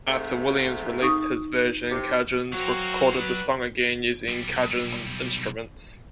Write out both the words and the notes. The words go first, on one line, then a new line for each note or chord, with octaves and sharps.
After Williams released his version, Cajuns recorded the song again using Cajun instruments.
G#2 C3 A3
D#4 C#6 D#6
C3
F#3 A#3 C4 F#4 C#5
G3 D4 B4
B1 G3